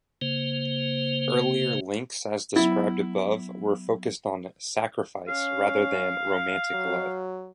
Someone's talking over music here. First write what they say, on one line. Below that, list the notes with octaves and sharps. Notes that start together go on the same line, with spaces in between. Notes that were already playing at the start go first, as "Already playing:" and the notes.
Earlier links as described above were focused on "sacrifice" rather than romantic love.
C#3 A#3 C5
F#3 B3 E4
C#4 F5
F#3